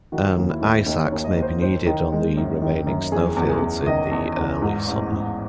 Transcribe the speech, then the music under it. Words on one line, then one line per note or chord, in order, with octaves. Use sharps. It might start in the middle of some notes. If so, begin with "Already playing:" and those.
An ice-axe may be needed on the remaining snowfields in the early summer.
D#3 F#4
D#2
E4
D#2
D#2 D#4
C#5
D#2
D#5
D#2
C5
D#3 C5
D#3
G#3
F#2
D#3
F#2
E2 G#4
E2
G#4
E2
D#3 D#5
E2
E2
G#2
A1
G#2